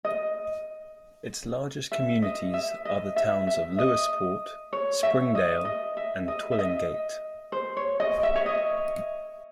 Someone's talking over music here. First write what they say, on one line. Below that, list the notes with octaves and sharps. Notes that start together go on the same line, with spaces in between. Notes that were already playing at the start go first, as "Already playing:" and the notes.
Its largest communities are the towns of Lewisporte, Springdale, and Twillingate.
D#5
E5
D#5
E5
D#5
E5
E5
D#5
C#5
E5
D#5
D#5
E5
D#5
E5
D#5
C5
C#5
D#5
E5
C#5
D#5